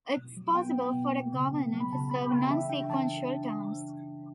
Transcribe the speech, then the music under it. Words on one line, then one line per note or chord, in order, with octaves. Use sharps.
It is possible for a governor to serve non-sequential terms.
B2
F#3
B3 G5
B3
B2
B2
C#3
B3
F#3
B5
C#3 A5
B3 B5
C#3 G5
E3 E5
D4 G5
E3 A5
E3
D4